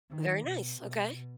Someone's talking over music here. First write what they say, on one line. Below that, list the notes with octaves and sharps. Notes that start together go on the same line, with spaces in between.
Very nice, okay.
D#3
B2
B2